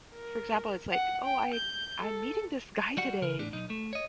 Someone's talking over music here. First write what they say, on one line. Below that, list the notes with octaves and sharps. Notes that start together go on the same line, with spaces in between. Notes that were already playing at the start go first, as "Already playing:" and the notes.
For example, it's like, "Oh, I I'm meeting this guy today,
A#4
F#5
G5
G6
A4
G3 F#4 F#5
C#3 A#4
E2 A2 D4
B1 D#4
A3
C#5 D#5